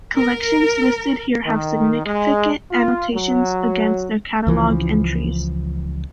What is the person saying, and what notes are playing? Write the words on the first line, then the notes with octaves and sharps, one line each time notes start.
Collections listed here have significant annotations against their catalogue entries.
A#4
D#3
G#3
F4
F#3
C#2 E3 F3